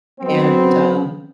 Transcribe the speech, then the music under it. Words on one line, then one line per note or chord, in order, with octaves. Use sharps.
and, um,
F#3 B3 C4